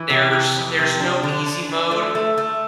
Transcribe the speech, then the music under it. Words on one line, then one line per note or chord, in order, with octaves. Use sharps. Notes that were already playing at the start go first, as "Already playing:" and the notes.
There's there's no easy mode.
Already playing: E3
C3
E3
F2
C3
D4
D3
D4
D4
A3
A3
A3